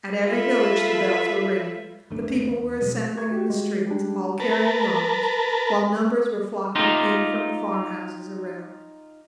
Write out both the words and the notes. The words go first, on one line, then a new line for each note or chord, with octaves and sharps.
At every village the bells were ringing, the people were assembling in the streets, all carrying arms, while numbers were flocking in from the farmhouses around.
F4 A4 B4 E5
G1 D#2 A3 D4
E2
B2 F#3 G#3
C#6 G#6
F#4 G4
G#3
G3 D4
A#4 B4 A5
D#4 F4 G4